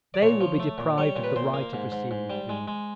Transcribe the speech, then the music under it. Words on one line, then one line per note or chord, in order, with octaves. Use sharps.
They will be deprived of the right of receiving food.
D5
A#2 C#5
F3
A3
A#2
G3 C#5
A#2
B4
A#2 C5
A#3
G#2
G#2
G#2
G3
G#3
G#3